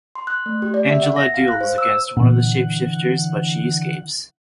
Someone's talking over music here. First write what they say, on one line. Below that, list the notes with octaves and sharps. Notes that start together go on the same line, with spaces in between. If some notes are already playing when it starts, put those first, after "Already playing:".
Angela duels against one of the shapeshifters but she escapes.
C6
F#6
A3
G4
D5
E5
F#5
A#6
F5
F#6
C5
E6
A#2 D3 E3 F#5